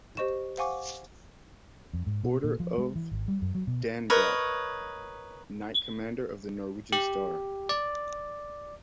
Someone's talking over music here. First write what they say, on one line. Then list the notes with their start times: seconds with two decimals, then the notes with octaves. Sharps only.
Order of Dannebrog, Knight Commander of the Norwegian Star.
0.17 G4 C5 D#5 C#6 E7
0.58 C5 F5 F#5 G#5 C#6 D6
1.93 F2
2.07 G#2
2.24 B2
2.44 A#2
2.60 F3
2.78 G#3
2.96 E3
3.11 G#1
3.28 G3
3.42 F#2
3.55 F#3
3.67 B2
4.10 A#4 B4 C#5 D#5
6.93 G4
7.69 D5